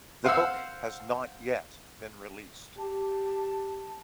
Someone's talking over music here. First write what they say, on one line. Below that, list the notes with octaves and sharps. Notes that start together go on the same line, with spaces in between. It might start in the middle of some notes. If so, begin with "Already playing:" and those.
The book has not yet been released.
C5 F5 F#5 E6
G4 A5